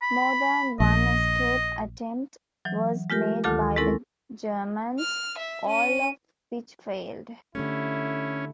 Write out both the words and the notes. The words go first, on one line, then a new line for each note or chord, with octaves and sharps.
More than one escape attempt was made by the Germans, all of which failed.
B5
A#1 D#5
E3 F#3
G#3 F4 G4 A#4
D2 D#3 F4 A4 A5 D6
G#3 C4 C#4 E4 A4 A#4
F6
E5
C#4 D#7
D3 G3 A3 C#4 E4